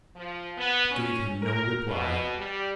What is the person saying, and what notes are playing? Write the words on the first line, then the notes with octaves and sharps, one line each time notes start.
It gave him no reply.
F3
B3
C#4
A#4
B2
G3